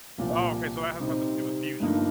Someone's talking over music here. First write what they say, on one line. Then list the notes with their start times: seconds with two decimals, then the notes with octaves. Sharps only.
Oh, okay, so that has nothing to do with fusion.
0.18 C2 A#2 F3
1.00 C3 G3 C4 D#4
1.80 G2 D3 F3 A#3 D#4